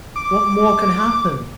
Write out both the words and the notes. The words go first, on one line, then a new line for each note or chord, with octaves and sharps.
What more can happen?
D6